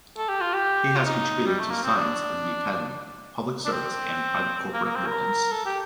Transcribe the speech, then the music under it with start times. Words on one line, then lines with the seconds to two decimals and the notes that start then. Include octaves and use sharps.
He has contributed to science in the academic, public service, and private corporate worlds.
0.18 A4
0.29 G4
0.41 F4
0.54 G4
0.96 F4
1.06 D#4
1.46 G3
1.60 A3
1.71 A#3
1.83 C4
1.96 D4
3.66 D4
3.73 C4
4.74 A#3
4.85 A#3
4.96 C4
5.06 A#4
5.52 A4
5.66 G4